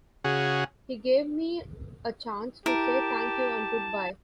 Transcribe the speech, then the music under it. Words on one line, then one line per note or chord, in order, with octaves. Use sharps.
It gave me a chance to say thank you and goodbye.
C#3 F#4 G#4
E4 G4 A#4 A5